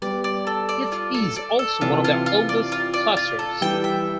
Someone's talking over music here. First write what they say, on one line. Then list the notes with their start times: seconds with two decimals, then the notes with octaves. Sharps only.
It is also one of the oldest clusters.
0.02 G3 B3 D5
0.24 D5
0.47 A4
0.69 D5
0.92 F4
1.14 A4
1.36 D5
1.59 A4
1.81 C3 E3 F4
2.04 F4
2.26 F4
2.49 D5
2.72 F4
2.94 D5
3.17 F4
3.39 A4
3.61 E3 G3 G5
3.84 E5